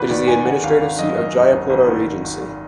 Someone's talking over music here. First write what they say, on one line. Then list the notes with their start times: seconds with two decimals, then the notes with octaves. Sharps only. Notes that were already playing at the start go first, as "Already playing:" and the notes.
It is the administrative seat of Jayapura Regency.
Already playing: G#1 B4
0.09 D#3 D5
0.28 G#1 G#5
0.45 D#3 F#5
0.63 G#1 F5
0.81 G#1 F5
0.99 F#2 D#5
1.17 F#2 D#5
1.35 F#2
1.52 G#1
1.70 G#1
1.87 D#3
2.06 D#3
2.24 G#1
2.41 G#1